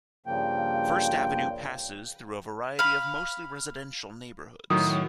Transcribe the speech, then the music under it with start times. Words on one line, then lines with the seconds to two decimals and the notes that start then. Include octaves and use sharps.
First Avenue passes through a variety of mostly residential neighborhoods.
0.26 G2 C#3 F3 A#3 G5
2.79 F5 B5
4.70 A2 D#3 F#3 D#6